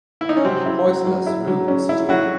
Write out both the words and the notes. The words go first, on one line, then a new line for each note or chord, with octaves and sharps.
Hoysalas ruled the city.
E4
D#4
C#4
C3 F#3 C4
E4
F#3
F#3
E4
F#3
C#4
E4
F#3 E4 F#4